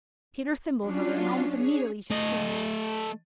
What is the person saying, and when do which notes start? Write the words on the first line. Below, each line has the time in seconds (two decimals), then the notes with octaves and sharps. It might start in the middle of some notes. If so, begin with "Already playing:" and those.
Peter thimbled her, and almost immediately she screeched.
0.83 F#3 C#4 D4 F4
1.49 G#4 C#5
2.11 A3 D#5